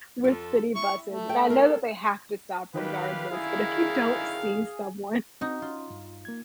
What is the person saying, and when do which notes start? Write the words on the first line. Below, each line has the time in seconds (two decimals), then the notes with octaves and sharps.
with city buses, and I know that they have to stop regardless, but, if you don't see someone
0.24 F2 F3 A4
0.75 E4 C#6
1.07 A3
1.29 G5
1.50 C4 A#4
1.63 A4
2.74 A1 D#3 G4 B4 F5
3.31 F#2 D3 D#3 E4 G#4
5.41 C4 D#4 F#4
5.62 C#4 F4
5.90 G2
6.25 A#3 G#6